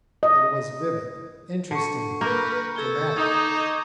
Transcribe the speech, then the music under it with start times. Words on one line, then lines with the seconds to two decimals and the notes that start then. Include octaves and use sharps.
It was vivid, interesting, dramatic.
0.23 D#5
1.71 D3 C#6 C#7
2.21 A#3 A#4 B4 G6
2.76 A4 G#6 G7
3.16 D#4 D6 D#6 G#6